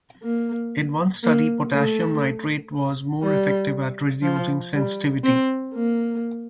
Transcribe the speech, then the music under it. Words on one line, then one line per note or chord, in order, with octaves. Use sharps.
In one study, potassium nitrate was more effective at reducing sensitivity.
A#3
A#3
A3
G3
F3
G3
C4
A#3